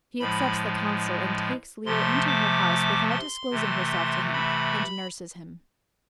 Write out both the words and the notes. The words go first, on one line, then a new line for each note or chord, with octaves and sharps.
She accepts the counsel and takes Leir into her house without disclosing herself to him, and nurses him.
A2 F3 G#3 B5
C3 F3 A3 C6
D6
C6
C3 E3 A3
B5